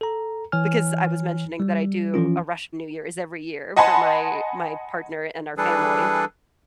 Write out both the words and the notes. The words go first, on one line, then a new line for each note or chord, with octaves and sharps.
because I was mentioning that I do a Russian New Year, is every year for my my partner and our family,
A4 A#5
E3 C#5 G#5 F6
G3
E3 F3 C#4 F4
D#5 F#5 G#5 A5 B5 C6
E3 G3 D4 G#4 A4 B4